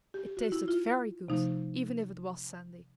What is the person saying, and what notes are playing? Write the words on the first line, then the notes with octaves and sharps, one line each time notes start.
It tasted very good, even if it was sandy.
G4
G4
F#4
E4
F4
C3 F3 A3 D#4